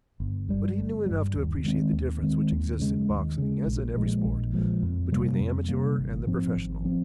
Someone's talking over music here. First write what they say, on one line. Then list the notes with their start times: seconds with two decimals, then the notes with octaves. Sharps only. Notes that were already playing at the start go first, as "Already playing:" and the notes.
But he knew enough to appreciate the difference which exists in boxing, as in every sport, between the amateur and the professional.
0.20 G1
0.49 G2 G3
0.78 G1
1.06 G2 G3
1.36 D#2
1.64 D#3 G#3 C4
1.93 D#2
2.23 D#3 G#3 C4
2.52 D#2
2.80 C#3 G#3
3.10 D#2
3.38 C#3 G#3
3.66 A#1
3.95 A#2 F3 G#3
4.25 A#1
4.53 A#2 F3 G#3
4.83 F2
5.11 C3 G3 A#3
5.40 F2
5.69 C3 G3 A#3
5.99 G#1
6.27 G#2 F3 C4
6.56 G#1
6.85 F3 C4